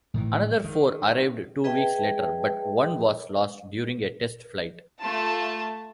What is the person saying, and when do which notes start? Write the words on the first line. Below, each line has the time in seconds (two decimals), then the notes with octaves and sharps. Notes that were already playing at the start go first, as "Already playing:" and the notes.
Another four arrived two weeks later, but one was lost during a test-flight.
0.14 A2 D#3 E3
0.64 D#3
1.64 G#4 B4 D#5 E5 G5 A5
4.99 A3 F4 A5